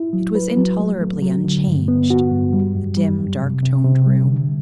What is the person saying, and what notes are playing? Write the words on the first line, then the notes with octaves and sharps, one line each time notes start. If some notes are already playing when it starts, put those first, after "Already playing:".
It was intolerably unchanged, the dim, dark-toned room.
Already playing: E4
F#3
B4
F#3
A3
A3
F#3
D3
G2
B3
F#4
G2
G3
F#2
G3
F#2
C3
C3
C3
G3
D3